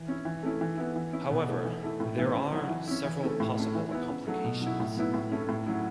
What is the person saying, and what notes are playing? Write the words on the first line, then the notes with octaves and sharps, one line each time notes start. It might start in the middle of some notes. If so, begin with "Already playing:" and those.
However, there are several possible complications.
Already playing: E3
C#4 E4
E3
A3 C#4 E4
E3
B3 E4
E3
C#4 E4
B2
A3 E4
E3
A3 E4
A2
E3 B3 E4
C#3
F#3 C#4 E4
E3
C#4 E4
E3
A3 C#4 E4
A2
A3 C#4
E3
B3 E4
C#3
F#3 A3
B2
F#3 C#4 E4
A2
F#3 B3 E4
A2
A3 C#4 E4
A2
F#3 C#4 E4